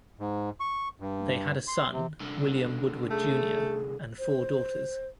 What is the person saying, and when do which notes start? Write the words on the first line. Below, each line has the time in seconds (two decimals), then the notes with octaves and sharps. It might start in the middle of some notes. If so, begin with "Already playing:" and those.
They had a son, William Woodward Junior and four daughters.
0.19 G#2
0.60 C#6
1.00 G2
1.68 C6
1.92 C3
2.21 C2 D3
3.10 A3 G#4
4.18 C5